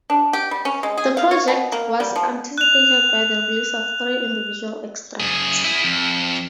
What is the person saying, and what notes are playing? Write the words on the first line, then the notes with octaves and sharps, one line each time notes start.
The project was anticipated by the release of three individual extracts.
D4
G4
G3
C#4
G#3
G#4
F5
C#5
B2
A#3
G3
F3
F#6 F7
F#2 G#4
E4 G#4
F2